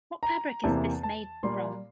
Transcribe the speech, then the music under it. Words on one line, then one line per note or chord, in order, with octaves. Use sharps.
What fabric is this made from?
A#5
E2 C3 E3 A#3 A5
A5
A#2 G3 A#3 C6